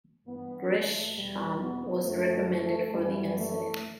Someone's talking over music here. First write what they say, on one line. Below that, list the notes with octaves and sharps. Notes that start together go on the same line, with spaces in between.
Grisham was reprimanded for the incident.
G2 E3 B3
A3
E2 B2 G3
B3
F#2 D3 A3
A3
F#2 E3 G3
A3